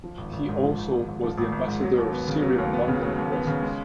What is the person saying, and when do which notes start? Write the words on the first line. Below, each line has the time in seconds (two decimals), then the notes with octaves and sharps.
He also was the ambassador of Syria in London and Brussels.
0.04 F3
0.18 G#1
0.33 G#1
0.49 G#2
0.63 F3
0.79 G#1
0.94 G#1
1.08 G#2
1.23 F3
1.38 G#1
1.52 G#1
1.67 G#2
1.83 F#3
1.98 D#2
2.13 B3
2.28 C#3
2.42 F#3
2.58 D#2
2.73 B3
2.88 C#3
3.02 F#3
3.18 D#2
3.32 B3
3.47 C#3
3.62 G#3